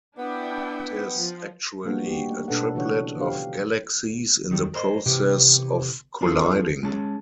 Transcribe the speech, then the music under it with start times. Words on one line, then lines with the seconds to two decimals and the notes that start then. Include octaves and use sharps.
It is actually a triplet of galaxies in the process of colliding.
0.18 B3 D4 E4 G5
1.16 F3
1.85 G3 A#3 B3 D4 F#4
2.06 A#3 F#4 G4
2.28 A3 D#4
2.48 B2 D4 A4 B4 F#5
2.75 C#3 E3 D4 F#4 C#5 F#5
3.17 D3 F3 B3 D4 G4 F5
4.51 D#3 F#3 G3
4.74 A#4 C5 D#5
5.06 C3 E3 B3 G4
6.21 C4 D4 F4 G#4 A4
6.83 G#3 C#4 A5